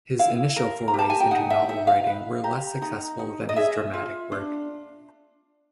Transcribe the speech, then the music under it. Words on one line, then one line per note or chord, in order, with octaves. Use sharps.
His initial forays into novel writing were less successful than his dramatic work.
E4 F5
A#4
A#5
G4 A5
G#5
G5
D#4 F#5
E5
D#4 E5
F5
B4
G4 A#5
D#4 A#5
D#4
D#5
G#4 E5
F4
D4